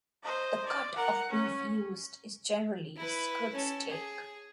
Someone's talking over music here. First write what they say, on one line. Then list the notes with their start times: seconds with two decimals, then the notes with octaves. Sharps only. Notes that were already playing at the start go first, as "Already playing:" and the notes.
The cut of beef used is generally skirt steak.
0.23 C5 D#5
0.65 D5
0.96 A#4 F#5
1.30 C#4
2.96 E4 B4
3.53 C#4 A4
3.89 G#4